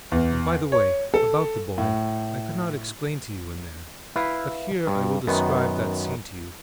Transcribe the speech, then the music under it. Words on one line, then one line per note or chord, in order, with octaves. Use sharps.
And, by the way, about the boy: I could not explain to you in there, but here I will describe that scene to you.
E2
C#5
A4
A2
E4 B4 F5
G2
F#2 D#3 B3